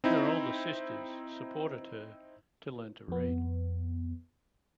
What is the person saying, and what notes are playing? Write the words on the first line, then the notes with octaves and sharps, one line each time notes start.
Her older sisters supported her to learn to read.
C4 D#4 E4
F2 B3